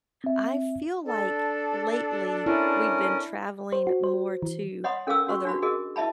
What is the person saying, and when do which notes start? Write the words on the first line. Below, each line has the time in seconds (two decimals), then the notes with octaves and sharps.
I feel like lately we've been traveling more to other
0.24 C4 E5
1.06 D4 A4
2.46 C#4 E4 A#4
3.72 C5
3.87 F#4
4.04 C5
4.42 E3
4.84 C#5 D#5 F#5 B5 C6 D#6
5.07 C#4 A4 A#4 F5 D6 E6
5.27 C#4 F#4 C#6
5.45 D4 F#4 B5
5.62 F#4 G#4 A#4 D#5
5.96 E4 D#5 E5 A5 B5